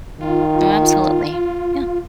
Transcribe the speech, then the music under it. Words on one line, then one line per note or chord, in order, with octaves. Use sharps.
Oh, absolutely. Yeah.
D#3 F4